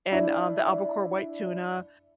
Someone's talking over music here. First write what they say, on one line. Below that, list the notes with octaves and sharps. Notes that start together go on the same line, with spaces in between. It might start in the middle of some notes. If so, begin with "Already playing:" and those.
and, um, the Albacore white tuna,
D4 E4